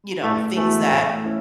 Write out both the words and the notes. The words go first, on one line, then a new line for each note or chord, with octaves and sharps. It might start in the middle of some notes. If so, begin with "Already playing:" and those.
you know, things that
A2 A3
E3 G#3 A3 B3 F#4
A2
C#4 E4